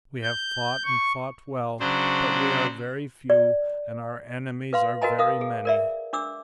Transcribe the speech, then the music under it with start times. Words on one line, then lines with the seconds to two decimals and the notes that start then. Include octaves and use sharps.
We have fought and fought well, but we are very few, and our enemies are very many.
0.23 G6
0.85 C#6
1.80 C#3 F#3 D4 C5
3.30 D5
4.73 B4 F5 C6
5.02 F#4 A#4 B4 D#5 G#5 A#5
5.18 A#4 F5 D#6
5.41 G#4
5.65 A#4 D5 E5
6.13 D4 D6 E6